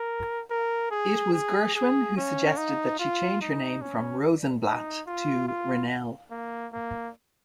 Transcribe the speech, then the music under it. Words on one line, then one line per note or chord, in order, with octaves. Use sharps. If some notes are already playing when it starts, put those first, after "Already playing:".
It was Gershwin who suggested that she change her name from Rosenblatt to Ronell.
Already playing: A#4
A#4
G#4
G#4
G#4
C#4
D#4
F4
D#4
C#4
D#4
F4
F4
A#3
A#3